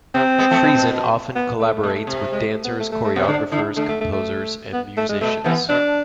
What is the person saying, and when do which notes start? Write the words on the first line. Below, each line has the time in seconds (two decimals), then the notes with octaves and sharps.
Friesen often collaborates with dancers, choreographers, composers and musicians.
0.14 C3 C4
0.38 G#3 B3
0.51 F3 A3
0.63 B2
0.75 B2
1.35 B3
1.59 A3
1.83 B2
2.07 C3
2.32 G#3
2.48 A3
2.64 B3
2.80 A3
2.92 A3
3.04 A3
3.16 C3 B3
3.28 D3 D4
3.52 D3 E4
3.76 D3 A3
3.88 A3
4.01 A3
4.12 A3
4.73 B3
4.97 A3
5.09 G#3
5.21 B2 A3
5.44 C3 E3 B3
5.69 B2 D4